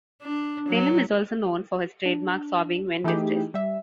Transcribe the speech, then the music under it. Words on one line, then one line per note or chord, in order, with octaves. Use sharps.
Salem is also known for his trademark sobbing when distressed.
D4
F#3
D4
E3 A3 D#4 E4 G4 G#4
G3 E5